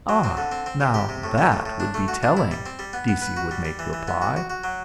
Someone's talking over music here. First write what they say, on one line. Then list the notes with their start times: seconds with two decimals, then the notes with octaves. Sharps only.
"Ah, now, that would be telling!" Deasey would make reply.
0.09 F#3
0.24 C4
0.37 D3
0.52 C4
0.66 C4
0.80 C3
0.94 G4
1.09 C3
1.24 A2
1.38 G3
1.52 A2
1.66 A2
1.80 D4
1.94 A3
2.08 F#4
2.23 D4
2.37 E4
2.51 G3
2.66 C4
2.79 G3
2.93 B3
3.08 B3
3.22 B4
3.37 F#4
3.51 G3
3.65 G3
3.79 E3
3.93 E3
4.08 B3
4.22 F#4
4.36 F#4
4.50 F#4
4.64 F#3